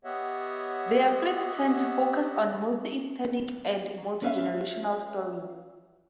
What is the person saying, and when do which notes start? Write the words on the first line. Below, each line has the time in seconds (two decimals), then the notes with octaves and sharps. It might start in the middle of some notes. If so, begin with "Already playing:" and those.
Their films tend to focus on multiethnic and multigenerational stories.
0.04 B3 G4 C#5 D#5 E5 F#5
4.22 C#4 B4 E5 F5